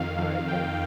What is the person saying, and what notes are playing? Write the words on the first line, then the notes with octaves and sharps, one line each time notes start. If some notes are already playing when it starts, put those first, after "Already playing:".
Alright, later.
Already playing: F2 D#3 F5
G5